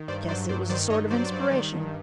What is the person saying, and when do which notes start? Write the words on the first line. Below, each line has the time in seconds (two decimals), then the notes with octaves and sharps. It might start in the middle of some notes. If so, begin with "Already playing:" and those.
Guess it was a sort of inspiration.
Already playing: D#3
0.08 G2 C5 D5
0.28 F#3 C5 D5
0.49 G2 C5 D5
0.70 D#3 C5 D5
0.90 G2 C#5 D#5
1.10 F#3 C5 D5
1.31 G2
1.51 D#3
1.72 G2